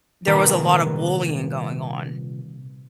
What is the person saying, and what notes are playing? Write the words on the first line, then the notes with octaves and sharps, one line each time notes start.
there was a lotta bullying going on,
C2 A#2 D#3 A#4 B4 A#5